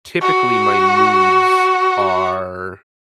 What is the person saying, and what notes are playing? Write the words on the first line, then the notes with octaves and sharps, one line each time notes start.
Typically my moods are
F#4